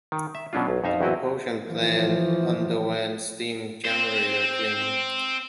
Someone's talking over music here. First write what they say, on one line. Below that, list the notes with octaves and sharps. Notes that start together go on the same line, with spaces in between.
The propulsion plant underwent steam generator cleaning.
D#3
E5
B2 F#3 C#4 D4 F4
B1
F2 D#4 E5 F5
E2 F#3 C4 E4 F#4 D#5
E3 F3
C4 C5